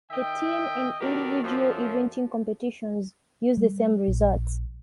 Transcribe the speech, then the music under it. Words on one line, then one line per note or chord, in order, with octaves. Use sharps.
The team and individual eventing competitions used the same results.
D#3 D#5 E5 G5
B2 D#3 G4 A4 A#4 D5
F#2 F3
G3
A#1